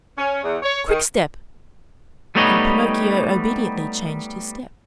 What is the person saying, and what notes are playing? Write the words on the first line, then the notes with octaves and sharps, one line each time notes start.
"Quickstep!" and Pinocchio obediently changed his step.
C#4
E2
C#5
D#3
G3 A3 B3 D#4 C#5 D#5